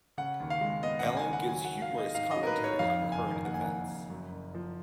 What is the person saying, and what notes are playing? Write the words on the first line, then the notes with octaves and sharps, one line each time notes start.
Alan gives humorous commentary on current events.
C#3 F#5
D#2
F5
G#3
B3 D#5
F#5
C#3
G#5
D#2
F#5
F#3 G#5
F#5
G#2
F5
B3
D#5
G#2 F5
F#3 D#5
A#4
B4
G#2
C#5
F2 F5
F#1
G#5
D#3
A#3 F#5
G#5
F2 F#5
F#1
F#2
F#1
F3